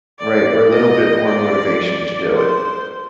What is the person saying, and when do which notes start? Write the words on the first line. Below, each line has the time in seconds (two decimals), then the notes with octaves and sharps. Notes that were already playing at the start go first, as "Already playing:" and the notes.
Right? Or, a little bit more motivation to do it.
0.19 D5
0.72 D#5
1.27 D5
2.35 C5